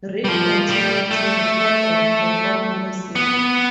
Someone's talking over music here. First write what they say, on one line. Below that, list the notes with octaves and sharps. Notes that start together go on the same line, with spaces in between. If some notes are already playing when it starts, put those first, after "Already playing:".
Rick continued to record and perform music.
G3
F3
G3
A3
B3